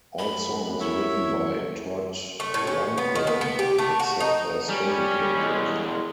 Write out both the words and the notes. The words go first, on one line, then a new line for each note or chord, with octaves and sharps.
All songs written by Todd Rundgren except as indicated.
F#2 B5
E4 C#5 E5
A3
A2
C#4
B3
D#3
B3
B3
G4
A3
F#4
D#4
G3 C#4
E2 G#3